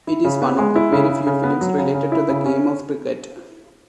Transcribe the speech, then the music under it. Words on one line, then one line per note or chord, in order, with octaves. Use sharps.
It is one of the very few films related to the game of cricket.
E4
C#3
B3
G#3
E4
C#3
C#3
C#3
B3
F#3
C#3
C#3
E4
C#3
C#4